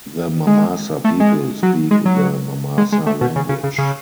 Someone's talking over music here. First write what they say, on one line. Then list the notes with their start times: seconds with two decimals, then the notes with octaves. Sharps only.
The Mamasa people speak the Mamasa language.
0.47 G#3
1.04 A3
1.20 G#3
1.63 F#3
1.91 G#3
2.05 F#3
2.78 G#3
2.92 G#3
3.06 A3
3.21 B2
3.36 C#3
3.49 C#3
3.63 C#3
3.78 C#3